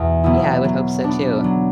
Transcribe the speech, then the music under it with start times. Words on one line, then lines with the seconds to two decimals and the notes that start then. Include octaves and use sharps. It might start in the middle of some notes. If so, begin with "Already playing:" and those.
Yeah, I would hope so too.
Already playing: E2 B2
0.24 B2 F#3 B3 E4
0.64 F#3
1.04 B3 D4
1.44 F#3